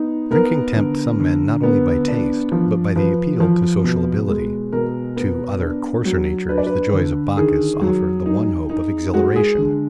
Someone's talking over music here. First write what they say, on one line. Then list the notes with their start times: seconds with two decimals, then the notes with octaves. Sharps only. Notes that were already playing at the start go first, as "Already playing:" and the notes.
Drinking tempts some men not only by taste, but by the appeal to sociability; to other coarser natures the joys of Bacchus offer the one hope of exhilaration.
Already playing: B3 D#4
0.31 B3 A#4
0.76 D3
1.20 D3
1.63 B3
2.08 D4
2.52 F3
2.96 F3 B4
3.40 F3
3.84 B2
4.28 G#3
4.72 B2 A#4
5.16 B3
5.61 D4
6.05 F#3
6.49 D4 B4
6.58 D5
6.67 B4
6.93 D3
7.37 D#3 G#4
7.81 F#3
8.26 D#4
8.70 D#4
9.14 G#3 F#4
9.36 G#4
9.58 D3